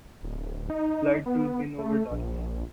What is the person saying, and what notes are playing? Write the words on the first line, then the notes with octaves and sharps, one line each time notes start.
Light will win over darkness.
D1
D#4
B3
A3
A#1